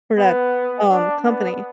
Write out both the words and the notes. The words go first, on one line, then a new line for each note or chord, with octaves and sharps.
for that, um, company.
B3
D4
B3